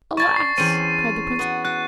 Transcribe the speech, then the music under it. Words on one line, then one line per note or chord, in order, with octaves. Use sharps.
'Alas!' cried the princess.
D5 G#5 A5 C#6 A6
C7
E2 C4 C#4 D#7
B3 F#4
F#4 F#6